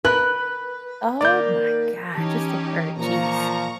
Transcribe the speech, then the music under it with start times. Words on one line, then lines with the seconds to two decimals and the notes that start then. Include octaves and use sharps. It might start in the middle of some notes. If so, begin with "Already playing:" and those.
Oh my God! Just the word, jeez!
0.05 A#4 B4 F#6
1.21 D#3 A#3 D5 G6
2.15 E3 C#4 D#4 G4 A5
2.98 A#2 F3 A#3 A#5 C#6